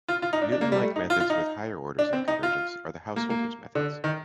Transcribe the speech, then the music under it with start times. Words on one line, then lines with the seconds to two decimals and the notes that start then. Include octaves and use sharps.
Newton-like methods with higher orders of convergence are the Householder's methods.
0.08 F4
0.22 F4
0.33 D#4
0.42 D4
0.52 D4
0.61 A#3
0.72 G3
0.82 A3
0.96 D#4
1.10 F4
1.20 F4
1.30 D#4
1.99 D4
2.13 C4
2.28 D#4
2.43 F4
3.16 A#3
3.30 A#3
3.75 D3
4.04 D#3